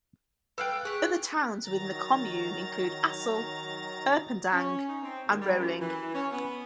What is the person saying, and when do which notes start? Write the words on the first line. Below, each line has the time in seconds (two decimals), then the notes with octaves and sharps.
Other towns within the commune include Assel, Erpeldange, and Rolling.
0.58 A4 B4 F5 G5 F6 F#6
0.85 G4 G#4 C#6 F#6
1.64 D#3 F#3 A#5 A6
4.53 C#4
4.88 D#4
5.02 C4
5.27 D#2
5.40 G3
5.58 F#2
5.80 E3
6.13 C#4
6.32 B3